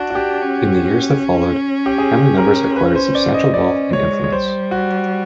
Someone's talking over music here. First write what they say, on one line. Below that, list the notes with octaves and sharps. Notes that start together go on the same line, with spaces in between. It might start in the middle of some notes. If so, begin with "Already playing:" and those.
In the years that followed, family members acquired substantial wealth and influence.
Already playing: D4 F#4
F#4
G4
C#4
G4
G#4
A#4
B4
C5
D5
D#5
C#4 D5
G#3 C#5
C#5
G3 C5
F#4